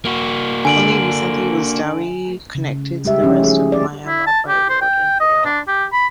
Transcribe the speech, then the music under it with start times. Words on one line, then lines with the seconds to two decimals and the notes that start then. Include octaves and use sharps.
Only recently was Dawei connected to the rest of Myanmar by road and rail.
0.05 A#3 F#4
0.65 D3 G#5 D7 F#7
2.55 C#3
3.04 G3 G#3 G4 E5
3.21 F3 C#4 D#4 E4 G4
3.40 A3 G#4
3.72 D5
4.07 E4
4.27 A5
4.48 G4
4.69 C5
4.81 G5
5.20 D#5
5.45 D4
5.68 G4
5.93 B5